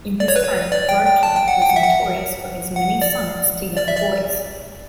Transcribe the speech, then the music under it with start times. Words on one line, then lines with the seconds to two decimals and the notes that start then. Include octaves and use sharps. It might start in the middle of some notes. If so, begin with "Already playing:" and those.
In his time Varchi was notorious for his many sonnets to young boys.
0.20 D5
0.28 C#5
0.36 B4
0.44 C#5
0.72 D5
0.89 G5
1.06 G5
1.23 A5
1.36 G5
1.48 F#5
1.61 G5
1.69 F#5
1.76 E5
1.84 F#5
2.75 F#5
3.02 D5
3.78 D5
3.88 E5
3.97 D5